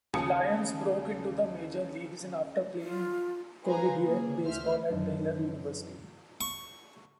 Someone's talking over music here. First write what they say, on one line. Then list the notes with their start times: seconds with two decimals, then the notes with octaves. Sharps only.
Lyons broke into the major leagues in after playing collegiate baseball at Baylor University.
0.14 D#2 C#3 G#5 A5 D#6 C#7
2.80 F4
3.64 G#4 B4 C5 F5 G#5 A#5
4.04 C#3 A#3 G#4
4.44 D2 C5 E5 F6
4.90 F#2 E3 D4 D#4
6.41 C#6